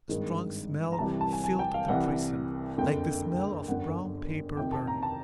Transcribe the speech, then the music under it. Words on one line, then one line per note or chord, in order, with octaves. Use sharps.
A strong smell filled the prison, like the smell of brown paper burning.
G#1 G2 D#3 G#3
A#5
C2 C3 E3 G3 A5
A5
G#5
G#5
G5
F5
C2 C3 E3 F#5
F#1 F2 D3 G5
G1 F#2 D3 F#5
F2 C3 D#3 G5
A5
A#5
A5